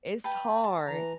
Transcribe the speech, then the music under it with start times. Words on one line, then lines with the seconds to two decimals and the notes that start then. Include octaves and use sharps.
it's hard.
0.24 B4 G5 A5
0.64 A5
0.88 E3 A#5